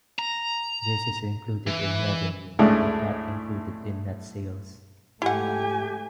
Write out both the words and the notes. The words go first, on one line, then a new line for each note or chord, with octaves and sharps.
This is included in revenue but not included in net sales.
A#5
E3
D2 A2 C#3 G#3 A3 D4
G#2 A3 E4 G4 F#5 G#5